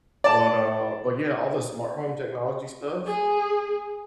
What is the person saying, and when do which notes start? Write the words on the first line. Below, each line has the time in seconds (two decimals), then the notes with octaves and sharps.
but, uh but yeah, all the smart home technology stuff,
0.24 D5 A5
3.07 G#4